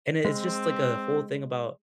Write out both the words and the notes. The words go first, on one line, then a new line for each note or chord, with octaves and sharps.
and it's just, like, a whole thing about
G#3 C4